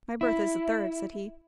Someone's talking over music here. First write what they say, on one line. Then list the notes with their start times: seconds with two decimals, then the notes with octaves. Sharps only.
"My berth is the third," said he.
0.21 E4